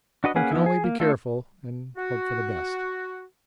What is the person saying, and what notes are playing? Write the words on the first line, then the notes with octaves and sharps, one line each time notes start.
One can only be careful and hope for the best.'
D4 F#4 B4 D#5
A#3 C#4 G#4 B4 F#5
F3 B3 D#4 E4
G#4
A#3
A3 D4 F4 A4
F#4